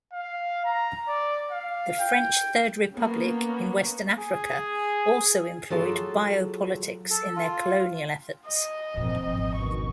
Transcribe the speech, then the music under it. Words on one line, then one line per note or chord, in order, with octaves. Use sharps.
The French Third Republic in Western Africa also employed biopolitics in their colonial efforts.
F5
A#5
D5
F5
G5
A#3 B3 C#4
G#4
F#3 F4 G#4 A4
A4
F4
D#5
B1 F2 A#2 C4
G#1
D2 B2 D#3 C#6